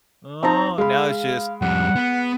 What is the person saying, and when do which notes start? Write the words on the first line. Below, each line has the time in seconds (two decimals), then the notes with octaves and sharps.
Oh, and now it's just
0.43 C4 D#4 A5 A#5
0.78 G#3 F5 B5
1.08 F5
1.62 F2 G3 F#5
1.96 B3